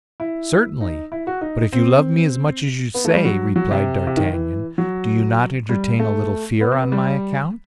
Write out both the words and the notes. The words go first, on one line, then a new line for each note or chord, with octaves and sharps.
"Certainly; but if you love me as much as you say," replied d'Artagnan, "do you not entertain a little fear on my account?"
E4
D#4
E4
F#4
D#4
C4
B3
A3
G3
F#3
F#3
C3
C3
D#3
E3
F#3
G3
A3
B3
C4
B3
G3